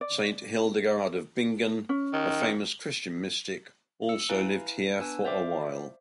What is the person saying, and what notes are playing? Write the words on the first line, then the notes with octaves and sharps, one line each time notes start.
Saint Hildegard of Bingen, a famous Christian mystic, also lived here for a while.
D5
C#4
D#3
E6 C#7
E4 B4 F5 G#5 A#5
B3 D4 B4 G#5 E6
C5 D5 E5 F5 D6